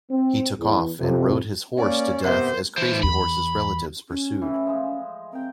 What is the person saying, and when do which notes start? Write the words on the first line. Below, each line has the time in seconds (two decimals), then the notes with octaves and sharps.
He took off and rode his horse to death as Crazy Horse's relatives pursued.
0.11 C4
0.60 E2
1.00 F2 C3
1.78 A#3 C#4 D5
2.24 C3 B3 A#4 C5 E5 F#5
2.77 E3 C5
3.03 E2 B5
4.09 C#4
4.42 A2 E3
4.67 F3 G#3
5.33 C4 A#4 G5